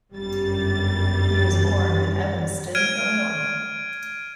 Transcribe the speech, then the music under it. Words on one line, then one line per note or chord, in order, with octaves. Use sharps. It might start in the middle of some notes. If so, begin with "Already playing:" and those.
He was born in Evanston, Illinois.
G1 F#2 G3 A6
F6 G#6 D7 D#7